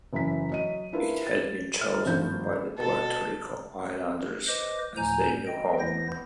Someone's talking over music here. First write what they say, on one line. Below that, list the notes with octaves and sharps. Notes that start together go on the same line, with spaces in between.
It had been chosen by the Puerto Rico Islanders as their new home.
F#1 F#2 E3 E4 E5 B6
F#3 D#5 D#7
D4 E4 F4 A#4 B4
A6
E5 F6
G#1 G2 F3 G6
B2 A4
B4 C5 D#5 D6
D2 A2 F3 G#5 A#5 G6
D#5 G5
E2 E3 B3 E4 C5 A#6